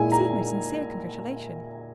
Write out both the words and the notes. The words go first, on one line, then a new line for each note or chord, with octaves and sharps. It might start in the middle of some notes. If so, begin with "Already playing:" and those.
"Receive my sincere congratulation."
Already playing: A#2 G#3 E4 G#5
A#5